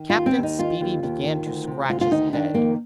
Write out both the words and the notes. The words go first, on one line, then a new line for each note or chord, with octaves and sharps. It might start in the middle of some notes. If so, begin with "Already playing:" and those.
Captain Speedy began to scratch his head.
Already playing: D#3
F4
D#2
C4
D#2
D#4
D#3 F4
D#2
D#2
D#3
D2
C3
D2 F4
F4
D#3 D#4
D#3 D4
F2 A#3